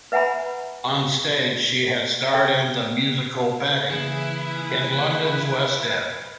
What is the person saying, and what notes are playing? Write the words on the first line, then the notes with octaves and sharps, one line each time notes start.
On stage she has starred in the musical "Betty", in London's West End.
B4 E5 F#5 G#5 A#5 B5
A4 E5 G5
C#3 E3 A#3 E4 G#4 B4